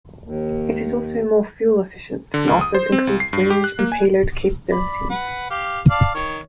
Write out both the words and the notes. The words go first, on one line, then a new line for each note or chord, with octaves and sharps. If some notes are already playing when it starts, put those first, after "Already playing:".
It is also more fuel-efficient and offers increased range and payload capabilities.
D#2
D3
C#2
D#6
C5
C4
C2
C7
G2
G4
F#6
A#3
G#5
D5 B5
B4 F#5
G4 F5
D5 F5 A5
D#3 C#5